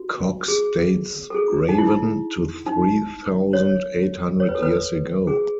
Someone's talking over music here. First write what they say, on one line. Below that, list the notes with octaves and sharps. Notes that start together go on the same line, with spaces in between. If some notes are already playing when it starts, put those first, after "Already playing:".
Cox dates Ravan to "three thousand eight hundred years ago".
Already playing: F#4
G#4
A4
G#4
D#4
E4
D#4
C#5
C#5
B4
A4
B4
G#4